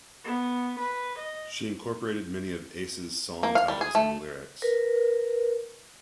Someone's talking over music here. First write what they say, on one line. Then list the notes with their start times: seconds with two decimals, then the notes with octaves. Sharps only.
She incorporated many of Ace's song titles in the lyrics.
0.24 B3
0.79 B4
1.18 D#5
3.43 A#3
3.55 F5
3.68 G3
3.81 G#4
3.95 A3
4.62 A#4 B4